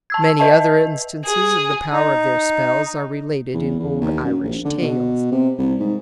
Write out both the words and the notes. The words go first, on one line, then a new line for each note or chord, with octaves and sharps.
Many other instances of the power of their spells are related in old Irish tales.
A5 E6 G#6
B4 D#5 E5 A5
G#4
D#4
E2
E2
D#2
F#2
A#1
D3
B2
C3
C2
G#2